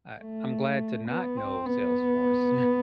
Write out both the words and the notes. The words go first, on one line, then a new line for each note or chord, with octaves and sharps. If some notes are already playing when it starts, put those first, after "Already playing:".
I I'm glad to not know Salesforce
A3
B3
C4
B3